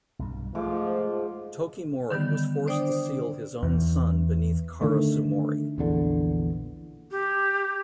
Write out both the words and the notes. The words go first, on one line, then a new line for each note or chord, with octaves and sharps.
Tokimori was forced to seal his own son beneath Karasumori.
B1 G2
G#2 F3 A3 D6
D3 D#3 G3 B3
D4 C5 D5 G5 D6 D#6
E2
D3 D#3 A3
A#1 E2 D3
G4